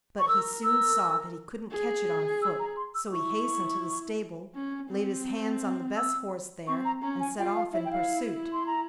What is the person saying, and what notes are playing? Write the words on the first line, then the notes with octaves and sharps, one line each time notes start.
But he soon saw that he couldn't catch it on foot, so he hastened to the stable, laid his hands on the best horse there, and set off in pursuit.
C#6
A#4 E6
E6
G#4
E6
A#5
C6
E6
E4 C#6
C#4
C4
E6
C4 C#6
A#5
C#4 A#5
G#5
F4 G5
F5
E4 E5
G5
F5
C6
A#5